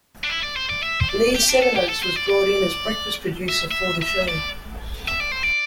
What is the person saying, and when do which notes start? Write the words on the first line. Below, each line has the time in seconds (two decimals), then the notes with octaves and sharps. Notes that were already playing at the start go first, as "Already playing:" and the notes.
Lee Sevenoaks was brought in as Breakfast Producer for the show.
0.24 D4
0.29 E4
0.43 D5
0.56 C5
0.70 D5
0.83 E5
1.01 C5
1.10 D5
1.36 G4
1.50 D4
1.63 A4
1.76 G4
1.89 A4
2.03 C5
2.16 D5
2.30 D5
3.49 E5
3.71 E5
4.02 E5
4.28 D5
5.08 E5
5.20 D5
5.32 C5
5.43 D5